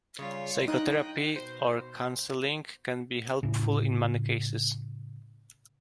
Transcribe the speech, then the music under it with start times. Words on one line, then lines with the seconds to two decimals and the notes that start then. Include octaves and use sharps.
Psychotherapy or counseling can be helpful in many cases.
0.19 C#3 G3 F4 C#5
0.68 D#4 G5 D#6 F#6 A#6
1.36 B2 C5
3.43 A2 C#3